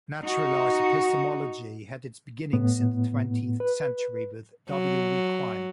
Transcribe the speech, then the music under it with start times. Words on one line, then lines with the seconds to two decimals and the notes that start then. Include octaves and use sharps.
Naturalized epistemology had its beginnings in the twentieth century with W. V. Quine.
0.22 D#4 F#4
2.53 A2 B3
3.60 B4
4.70 F#3